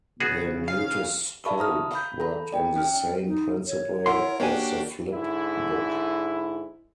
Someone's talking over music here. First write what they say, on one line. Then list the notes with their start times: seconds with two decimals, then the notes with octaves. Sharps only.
The Mutoscope worked on the same principle as the flip book.
0.20 C#3 B3 F#4 G#4
0.68 F5
1.45 D5 E5 F5 A5 B5 C#6
1.58 F5 A#5 D#6 F6
1.91 F5 B5 G6
2.20 A4 A#5 B5
2.53 D5 G5
2.76 C#4 G5 F6
3.27 D#4
3.67 C#5
4.06 E4 A#4 F#5 C6
4.40 A#3 D4 F#4 G4 C#5 G#5
5.12 G#2 D3 E4